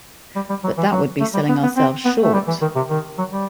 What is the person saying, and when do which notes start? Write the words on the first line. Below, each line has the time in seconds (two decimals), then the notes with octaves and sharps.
But that would be selling ourselves short.
0.36 G3
0.50 G3
0.64 F#3
0.78 E3
0.92 F#3
1.20 A3
1.34 G3
1.49 B3
1.63 B3
1.77 C4
2.05 B3
2.23 A3
2.33 G3
2.48 E3
2.62 D#3
2.76 C3
2.90 D#3
3.18 F#3
3.33 G3